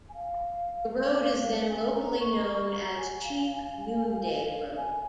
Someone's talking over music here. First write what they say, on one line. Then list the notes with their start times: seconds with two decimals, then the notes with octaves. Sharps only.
The road is then locally known as Chief Noonday Road.
0.08 G#5
0.13 F5
1.58 F5
1.68 G#5
1.87 G#5
1.93 A#5
2.19 C#6
2.40 A#5
2.45 C#6
2.70 A#5
2.97 G#5
3.23 F5
3.33 G#5
3.44 F5
3.55 G#5
3.65 F5
3.76 G#5
3.86 F5
3.97 G#5
4.08 F5
4.19 G#5
4.30 F5
4.76 G#5